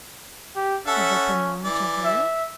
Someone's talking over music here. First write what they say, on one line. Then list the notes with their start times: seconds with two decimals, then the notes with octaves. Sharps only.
Has it been long to her?
0.56 G4
0.87 C#4 A4 E5 F#5
1.64 E3 D5
2.05 E5